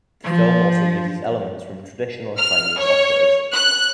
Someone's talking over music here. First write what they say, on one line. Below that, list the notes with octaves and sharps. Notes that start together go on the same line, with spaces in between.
The film also uses elements from traditional Chinese operas.
F3
F6
C#5
F#6